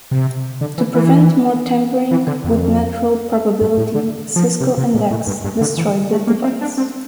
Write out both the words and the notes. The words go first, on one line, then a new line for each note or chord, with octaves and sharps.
To prevent more tampering with natural probability, Sisko and Dax destroy the device.
C3
D3
E3
E3
E3
D3
F2
G2
A2
D3
F3
C3
C3
A#2
A2
G2
G2
D3
E3
A3
A#3
C4
D4
C4